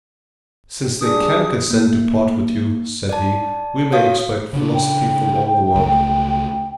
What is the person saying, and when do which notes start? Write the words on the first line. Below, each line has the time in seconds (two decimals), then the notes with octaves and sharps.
"Since they can consent to part with you," said he, "we may expect philosophy from all the world."
1.01 G3 D4 G#4 D#6
1.71 A#3
3.09 D5 A5
3.92 F#4 C#5 F5 D#6
4.53 C#3 D4
4.74 G5
5.75 C#2 A3